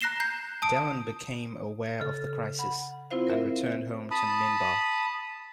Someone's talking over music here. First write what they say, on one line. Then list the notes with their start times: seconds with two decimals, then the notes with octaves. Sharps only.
Delenn became aware of the crisis, and returned home to Minbar.
0.01 A#5 F#6 A#6 C7 E7 G7
0.20 A#5 G6 C7
0.62 A5 D#6 D7
2.00 C#3 A4
2.59 F#5 B5
3.10 C4 E4 F4 C5 F5
3.27 A#4 C5 E5
4.11 A5 B5 D#6